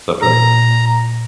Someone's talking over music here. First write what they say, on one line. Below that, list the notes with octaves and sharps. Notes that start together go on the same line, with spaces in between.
so I feel like
A#2 A#5